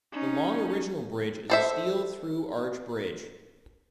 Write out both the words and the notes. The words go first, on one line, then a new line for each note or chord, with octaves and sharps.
The long original bridge is a steel through arch bridge.
C#4 D#4
A4 C5 E5